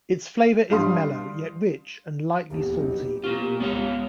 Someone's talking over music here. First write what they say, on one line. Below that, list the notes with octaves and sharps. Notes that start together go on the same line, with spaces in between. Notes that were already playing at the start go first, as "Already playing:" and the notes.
Its flavor is mellow, yet rich, and lightly salty.
G3 D4 F5 C6 D#6
D#1 A#1 E2 G4
F#3 B3 D#4
B2 A#3 C4 F4 C#6
C#2 B3 C#5 F5